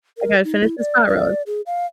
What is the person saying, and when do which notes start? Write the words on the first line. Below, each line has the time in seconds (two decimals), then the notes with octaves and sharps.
“I gotta finish this pot roast.”
0.18 A#4
0.44 D#4
0.62 E4
0.78 D5
1.07 D5
1.47 G#4
1.66 F5